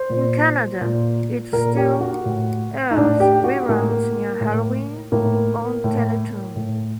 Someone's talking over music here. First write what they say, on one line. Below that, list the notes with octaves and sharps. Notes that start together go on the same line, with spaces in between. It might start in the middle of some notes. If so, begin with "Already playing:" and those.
In Canada, it still airs re-runs near Halloween on Teletoon.
Already playing: C5
A#2
A#2
A#2 A#4
G4
F#4
A2
D#4
A2 D4
G4
F#4
A2 A#3
A2
A2 A#3
A2
A2